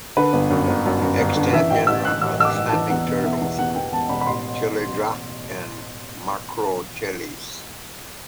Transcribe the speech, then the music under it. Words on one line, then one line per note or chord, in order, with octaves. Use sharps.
The extant genera are the snapping turtles "Chelydra" and "Macrochelys".
D3 B4
G1
F#2
G1
F#2
F#2
G1
D3
E3 E5
A1 G5
A1 E6
A1 F#6
A1 E6
A1 E6
D6
A1
E3 A5
E2 F#5
B2
E2 E5
E2
E2 F#5
E2 G5
E1 A5
E1 B5
B5
A1 C6